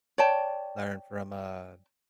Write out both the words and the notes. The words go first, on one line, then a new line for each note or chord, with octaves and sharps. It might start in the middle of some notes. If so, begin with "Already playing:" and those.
learn from, uh,
C#5 D5 G5 A5